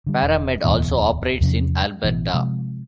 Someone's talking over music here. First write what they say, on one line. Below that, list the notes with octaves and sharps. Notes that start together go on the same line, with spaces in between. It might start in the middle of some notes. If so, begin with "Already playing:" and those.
ParaMed also operates in Alberta.
D3 G3
E1
D1 E2 B2 E3
E2 C3 F3 C#4
A1 B2 E3
C3 F3 G#3